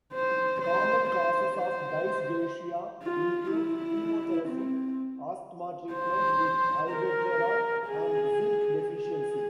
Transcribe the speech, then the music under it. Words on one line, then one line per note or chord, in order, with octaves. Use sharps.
Common causes of dysgeusia include chemotherapy, asthma treatment with albuterol, and zinc deficiency.
C5
C5
C5
C5
F4
E4
C4
C5
A#4
G#4
G#4